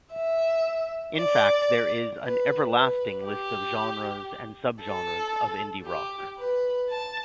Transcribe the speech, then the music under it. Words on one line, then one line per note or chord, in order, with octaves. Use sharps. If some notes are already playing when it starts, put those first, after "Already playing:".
In fact, there is an everlasting list of genres and subgenres of indie rock.
E5
D5
B4
B4
G4
A4
G4
B4
A5